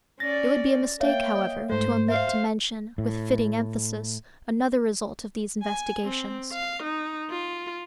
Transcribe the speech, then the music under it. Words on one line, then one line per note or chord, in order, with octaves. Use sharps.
It would be a mistake, however, to omit to mention, with fitting emphasis, another result of these investigations.
C#4 D5 A6 A#6
A#3 C#5 E5 F5 G5
D#5
G#2 A3 C5
C5 E5 F5
A2
G#5
C4
F5
D#4
F4